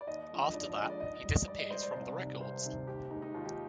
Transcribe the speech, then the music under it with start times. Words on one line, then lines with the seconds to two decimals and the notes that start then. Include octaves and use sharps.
After that he disappears from the records.
0.01 D5
0.07 D#2 D#5
0.30 D3 F3 G#3
0.43 D#5
0.54 D#2 D5
0.65 D5
0.77 D3 F3 G#3 D#5
0.90 D5
1.00 G#2 D#5
1.24 G3
1.48 G#2 D5
1.59 D#5
1.70 G3 C5
1.83 D5
1.94 C2 D5
2.18 C3 D#3
2.41 C2 C5
2.65 C3 D#3
2.87 D#2 G4
3.10 D#3 G#3 D#4
3.22 D#4
3.34 D#2 F4
3.45 G4